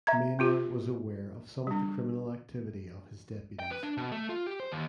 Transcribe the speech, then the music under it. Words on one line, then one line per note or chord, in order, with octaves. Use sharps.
Maynor was aware of some of the criminal activity of his deputies.
E5 A#5 G#6
C4 F4 G4
G3 D4
G5
B4
D4
B2
A3
F4
G4
C5
D#2